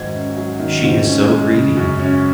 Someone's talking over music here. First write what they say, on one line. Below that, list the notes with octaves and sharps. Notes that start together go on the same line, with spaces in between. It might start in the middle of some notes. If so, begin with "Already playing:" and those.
She is so greedy!
Already playing: G#2 D#3 F#3 G#6
C#4
F#3
D#3
G#2
C#4
G#3
C#3
F#2
C#4